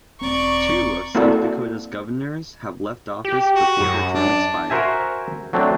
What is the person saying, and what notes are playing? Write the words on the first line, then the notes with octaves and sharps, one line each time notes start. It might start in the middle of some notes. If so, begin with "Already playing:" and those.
Two of South Dakota's governors have left office before their term expired.
E1 C4 D5 A#5 C#6
A#3 C4 E4 F#4 A4 D5
G4
F#4
F#2
D4
F#4 A#4 C5 E5 G#5
F#3 A3 C4 D4